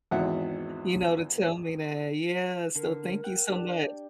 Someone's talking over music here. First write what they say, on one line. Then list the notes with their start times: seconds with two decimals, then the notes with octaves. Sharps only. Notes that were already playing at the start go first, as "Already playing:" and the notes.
you know, to tell me that. Yeah, so thank you so much.
0.11 G#1 E2 E5 F#5
2.75 D3 A#4
3.24 F#5 G5
3.49 D4 G4